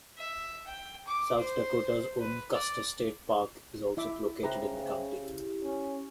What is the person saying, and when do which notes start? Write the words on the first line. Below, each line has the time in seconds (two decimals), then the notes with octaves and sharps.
South Dakota's own Custer State Park is also located in the county.
0.17 E5
0.67 G5
1.07 D6
1.38 C5
2.20 B4
2.53 D5
3.97 E4 E5 D6
4.43 C#3 B4 C5 E5 G5 A#5
5.22 E4 G4
5.62 C#4